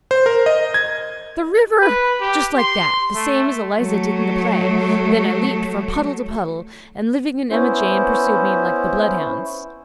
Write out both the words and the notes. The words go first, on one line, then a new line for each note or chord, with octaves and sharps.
THE RIVER!' just like that--the same as Eliza did in the play; then I leaped from puddle to puddle, and Living and Emma Jane pursued me like the bloodhounds.
C5
A#4
D#5
G#6
B4
G4
C6
A3
F#3 A3
B3 C#4 E4 C5